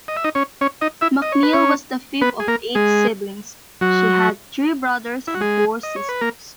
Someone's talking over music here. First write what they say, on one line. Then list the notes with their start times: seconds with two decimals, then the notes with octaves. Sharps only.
MacNeil was the fifth of eight siblings; she had three brothers and four sisters.
0.08 D#5
0.17 E5
0.24 D#4 D#5
0.35 C#4 C#5
0.61 C#4 C#5
0.81 D#4 D#5
1.01 E4 E5
1.22 D#5
1.32 C#5
1.43 B4
1.53 C#4 C#5
2.22 B3 B4
2.40 G#4
2.48 A#3 A#4
2.75 G#3 G#4
3.81 F#3 F#4
5.27 E4
5.35 F#4
5.41 G#3 G#4
5.83 D#5
5.96 C#5
6.09 B4
6.21 A#3 A#4